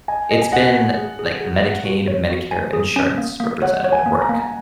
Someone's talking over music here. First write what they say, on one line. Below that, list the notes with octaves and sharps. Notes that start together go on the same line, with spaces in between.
it's been, like, Medicaid, Medicare insurance representative work.
D#5 G#5
D#5
G#5
D#5 F#5
F#4
G#4
G#4
G#4
F#5
F#4
C#5
F#4
G#5
G#4
C#4
A#3
A#3
C#5 F#5
C#5
G#5
A#3
A#5
A#3
A#5